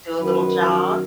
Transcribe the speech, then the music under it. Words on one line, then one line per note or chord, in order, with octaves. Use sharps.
Do a little jog.
F#2 D#3 F#3 B4
A#4